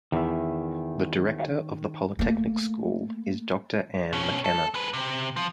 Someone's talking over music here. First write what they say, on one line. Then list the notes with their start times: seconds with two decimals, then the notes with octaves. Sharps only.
The director of the Polytechnic School is Doctor Ann McKenna.
0.12 E2 D#3 E5
2.19 A3 A#3
4.13 B2 C#4
4.45 A4
4.74 G#3 B4
4.93 C3
5.36 F3